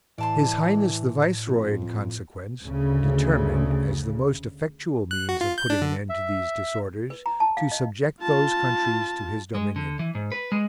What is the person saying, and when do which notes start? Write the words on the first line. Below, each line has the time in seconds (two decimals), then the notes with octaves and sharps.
His Highness the Viceroy, in consequence, determined, as the most effectual means of putting an end to these disorders, to subject those countries to his dominion.
0.18 A2 E3 D5 A5 C6
1.47 F2
2.63 D2 C#3
5.11 F#6
5.29 F#4
5.41 F4
5.58 G6
5.70 D4
5.82 D3
6.09 E5
7.10 B4
7.26 A#5
7.40 A5
7.57 F5
7.72 D#5
8.21 F4 A5
9.55 G#3
9.76 D3
9.99 E3
10.15 G#2
10.32 B4
10.52 G#3